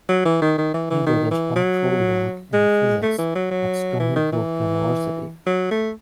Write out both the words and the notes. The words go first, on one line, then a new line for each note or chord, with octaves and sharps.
He did his doctoral work in physics at Stony Brook University.
F#3
E3
D#3
D#3
E3
E3
D#3
E3
F#3
G#3
A3
E3
F#3
F#3
E3
D#3
E3
F#3
A3